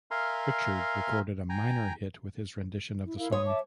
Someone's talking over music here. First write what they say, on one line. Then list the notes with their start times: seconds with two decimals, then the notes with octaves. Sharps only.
Richard recorded a minor hit with his rendition of the song.
0.11 A#4 E5 F5 G#5 A#5 C6
1.49 G5 G#5 A#5
3.05 E4
3.17 E4 A#4 F5
3.32 C#5 C6 D#6
3.45 E5 A5 D6